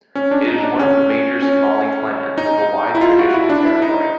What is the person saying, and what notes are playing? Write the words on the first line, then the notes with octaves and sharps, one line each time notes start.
It is one of the major Somali clans, with a wide traditional territory.
C#4
D4
D#4
D4
C#4
C#4
D#4
E4
F4
F#4
E4
D4
E4
D#4